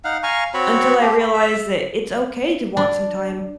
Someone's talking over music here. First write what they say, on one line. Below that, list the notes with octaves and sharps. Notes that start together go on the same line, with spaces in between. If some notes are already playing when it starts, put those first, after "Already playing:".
until I realize that it's okay to want some time
D#4 F5 F#5
F5 G#5 A#5 C#6
C4 F#4 C#5 B5
A3 G4
B5
E5
D4